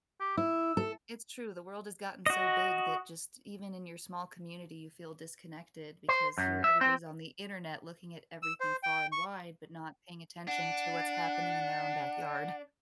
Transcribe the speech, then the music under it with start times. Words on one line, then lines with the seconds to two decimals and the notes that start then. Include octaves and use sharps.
It's true, the world has gotten so big that just even in your small community, you feel disconnected because your everybody's on the Internet looking at everything far and wide but not paying attention to what's happening in their own backyard.
0.21 G4
0.37 E4 E6
0.77 A4
2.26 F#4 D#5
6.09 C5
6.38 F#2
6.64 E5
6.81 C4
8.43 E6
8.60 C5
8.83 G5
9.12 C#6
10.48 D4 F#5